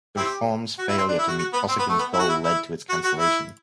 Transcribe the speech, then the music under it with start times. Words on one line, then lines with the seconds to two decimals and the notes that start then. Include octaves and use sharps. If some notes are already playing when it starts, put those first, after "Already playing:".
The reform's failure to meet Kosygin's goal led to its cancellation.
0.17 C4 E4 G4
0.79 F#4
0.89 E4
0.98 C4
1.09 D4
1.19 E4
1.28 F#4
1.39 F#4
1.53 B3
1.69 C4
1.79 B3
1.89 A3
1.99 B3
2.14 E4
2.19 F#4
2.29 E4
2.44 E4
2.89 F#4
3.04 F#4
3.20 E4